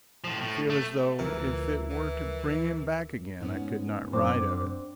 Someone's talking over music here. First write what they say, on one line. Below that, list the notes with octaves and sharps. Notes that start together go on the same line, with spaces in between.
I feel as though if it were to bring him back again I could not write of it.
A2 F3
A2
A3
D2 E3 F3 A#4
E3
G#2 B3 C#4
F#2 C4 D4 C5 D6